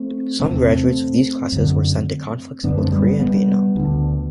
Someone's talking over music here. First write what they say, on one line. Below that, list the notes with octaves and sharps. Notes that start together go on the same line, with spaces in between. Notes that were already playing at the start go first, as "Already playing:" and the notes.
Some graduates of these classes were sent to conflicts in both Korea and Vietnam.
Already playing: A3 C4
E2 C3 A3 C4
F#2 D3
F#2 D3 B3 D4
A3 C4
G3 B3
G3 B3
D2 D3